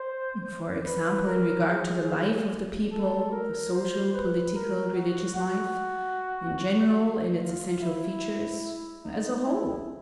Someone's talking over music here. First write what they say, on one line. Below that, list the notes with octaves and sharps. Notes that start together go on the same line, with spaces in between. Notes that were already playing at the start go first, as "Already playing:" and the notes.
"For example, in regard to the life of the people--the social, political, religious life--in general, in its essential features--as a whole."
Already playing: C5
B4
A#4
G#4
A4
A#4
C5
B4
A#4
F#4
F#4
F4
E4
D#4
E4